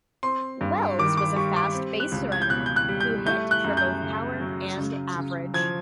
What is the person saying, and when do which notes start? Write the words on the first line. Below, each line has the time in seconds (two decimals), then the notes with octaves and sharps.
Wells was a fast baserunner who hit for both power and average.
0.23 C4 C6
0.61 G2
0.99 D#3 D6
1.17 D6
1.36 G3 C#6
1.56 D6
1.74 C4
2.00 F#6
2.12 C#2
2.32 G#6
2.42 G6
2.50 B2 F#6
2.66 G6
2.76 F#6
2.89 G3
3.00 G6
3.26 A3 G6
3.51 F#6
3.64 F#2
3.77 G6
4.02 C#3
4.40 F#3
4.77 C#3
5.16 C#3
5.54 F3 G#6